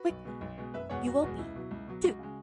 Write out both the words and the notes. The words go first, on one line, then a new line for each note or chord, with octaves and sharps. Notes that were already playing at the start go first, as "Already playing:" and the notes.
Quickly, you will be, to.
Already playing: F#4 B4
B1
B2 G#3
B1
B2 G#3
F#1 B4 E5
E2 B2 G#3 C#5 F#5
F#1 F#4
E2 B2 G#3 F#4
C#2 E4
B2 F#3
C#2
B2 F#3
C#2 F#4
C#3 G#3